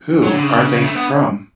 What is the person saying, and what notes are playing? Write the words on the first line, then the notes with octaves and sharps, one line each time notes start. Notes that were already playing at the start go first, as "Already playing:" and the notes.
Who are they from?
F#3 D4
D3
C#3
C#4
A3 D4
B3